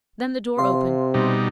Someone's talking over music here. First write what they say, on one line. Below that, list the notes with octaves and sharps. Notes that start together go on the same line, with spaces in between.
Then the door opened.
C3 F5 C6
B2 G3 D#4